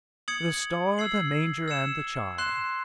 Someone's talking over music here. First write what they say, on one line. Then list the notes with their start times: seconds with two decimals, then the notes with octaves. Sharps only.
"The star, the manger, and the Child!"
0.28 D#6 G#6 C#7 F#7
0.98 E6 G#6 C7 F#7
1.68 E6 G#6 C#7 E7
2.38 C6 F#6 C7 E7